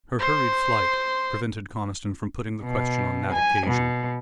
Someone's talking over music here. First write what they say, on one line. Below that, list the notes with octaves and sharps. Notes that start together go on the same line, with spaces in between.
Her hurried flight prevented Conniston from putting the question on that occasion.
C5 C6
B2
G#5
B2